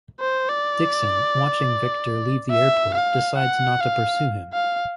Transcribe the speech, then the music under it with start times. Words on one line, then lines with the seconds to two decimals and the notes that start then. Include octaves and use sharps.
Dixon, watching Viktor leave the airport, decides not to pursue him.
0.20 C5
0.49 D5
2.51 E5
2.94 F5
3.38 F#5
3.80 F5
4.54 F5